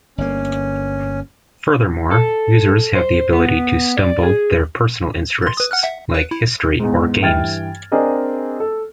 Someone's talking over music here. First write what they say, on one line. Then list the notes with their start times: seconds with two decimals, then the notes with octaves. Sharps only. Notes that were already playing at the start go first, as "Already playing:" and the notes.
Furthermore, users have the ability to stumble their personal interests like "History" or "Games".
0.18 G1 A#3 C#4
2.11 A4
2.95 C5
3.33 B3
3.97 D5
4.23 G#4
5.42 C6 A6
5.57 B4 D#6
5.71 F#5 F6 F#6
5.83 E5 F#5
6.14 B4
6.31 E4
6.80 E2 G#2
7.22 G2 E3 G5 F6 G#6 A6
7.92 C4 D4 G#4 A#4 D#5
8.60 A4